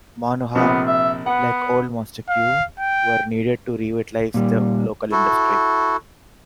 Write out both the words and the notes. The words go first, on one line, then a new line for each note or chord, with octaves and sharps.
Manhua like "Old Master Q" were needed to revitalize the local industry.
A#1 C3 B3
E5
B3 F#5
F5
G5
A#2 G3
E4 F#4 A4